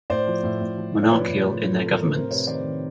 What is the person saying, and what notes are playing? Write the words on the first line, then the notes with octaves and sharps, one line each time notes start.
Monarchial in their governments.
A2 C5 D5
F3
A2
A2
F3
A2
D5
F3 B4 C#5
A2
A2
F3
A4
F3
A#4
A2 B4
C3 A#4 C5
C3 B4 C#5
D#3 C5 D5
D#3